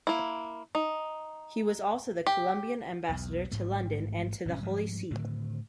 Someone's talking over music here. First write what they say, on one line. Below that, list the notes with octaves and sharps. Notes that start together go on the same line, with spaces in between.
He was also the Colombian ambassador to London and to the Holy See.
A#3 E4
D#4
G4
B1 E2
A1 G#2 A3
G#1 B2 G3 C#4
G#2 F3 G3
A2 D3 D#3